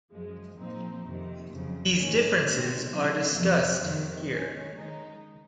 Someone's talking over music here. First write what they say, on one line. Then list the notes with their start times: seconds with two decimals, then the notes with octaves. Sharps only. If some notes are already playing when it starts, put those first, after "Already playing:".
These differences are discussed here.
0.12 F#2 F3 G#3
0.58 A#2 F3 C4 D#4
1.05 F2 C3 D#3
1.50 F2 C#3 F#3
1.97 G#2 D#3 A#3 C#4
2.43 C3 D#3 G#3
2.90 D#3 F#3 C#4 F4
3.36 F2 C3 F3
3.82 F2 C3 D#3
4.28 D#3 G#3 C#4
4.74 D#3 G#3 D#4